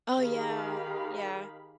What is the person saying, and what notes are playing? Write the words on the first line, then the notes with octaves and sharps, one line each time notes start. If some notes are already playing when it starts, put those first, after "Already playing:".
Oh, yeah. Yeah.
D#3 G4 G#4 A#4 F5 B5